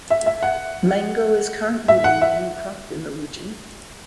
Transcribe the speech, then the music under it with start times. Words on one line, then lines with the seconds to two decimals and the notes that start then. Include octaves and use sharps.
Mango is currently the main crop in the region.
0.10 E5
0.26 E5
0.43 F#5
1.88 E5
2.04 F#5
2.21 E5